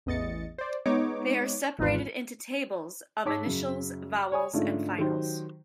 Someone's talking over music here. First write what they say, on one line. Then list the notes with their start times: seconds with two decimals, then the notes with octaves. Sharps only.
They are separated into tables of initials, vowels and finals.
0.06 A1 E2 D#5 A6 C#7
0.58 C5 D5
0.86 G#3 B3 D#4 C#5 D6
1.79 G#1 E2 G#2 F4 B4
3.25 G#2 C#5 A5 D6 E6 B6
3.45 F#2 C#3
4.32 C#5 G#5 D#6
4.53 G#2 D3 A3 C#4 D4 F4
4.98 D#3 F#3 D#4 G4 C5